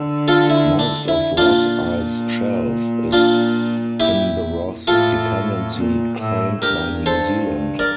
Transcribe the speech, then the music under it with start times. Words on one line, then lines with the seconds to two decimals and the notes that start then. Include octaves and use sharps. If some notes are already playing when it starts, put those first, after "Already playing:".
Most of Ross Ice Shelf is in the Ross Dependency claimed by New Zealand.
Already playing: D3
0.28 F4 A4
0.50 E4
0.79 D4
1.08 E4
1.37 A#2 D4 F4
3.13 D4 F4
4.00 E4 G4
4.87 A2 F4 A4
5.75 A#2
6.18 A2
6.62 G2 G4 A#4
7.06 A4 C5
7.79 A#4 D5